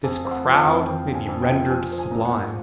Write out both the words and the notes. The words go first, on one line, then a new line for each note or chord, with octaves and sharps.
This crowd may be rendered sublime.
F2 G#5
F2
F#5
F3
F5
F2
F2 G5
D3
G#5
F2
G5
F3
F3 G#5
F3
G#5
A#2
F#5
A#2